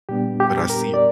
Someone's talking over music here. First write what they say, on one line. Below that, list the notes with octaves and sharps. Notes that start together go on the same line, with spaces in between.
But I see
A#2 G3 B3 D4 G4
G4
A#4
D5